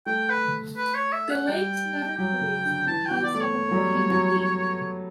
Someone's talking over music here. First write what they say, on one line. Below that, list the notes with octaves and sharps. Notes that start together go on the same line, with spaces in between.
The lakes never freeze because of the volcanic heat.
A3 G5
B4
B4
C#5
E5
F#5
G3 G5
F#3 G5
C#3
D3
E3 A5
G5
B3
D5
A3 D5
C#5
F#3
G3
G3
F#3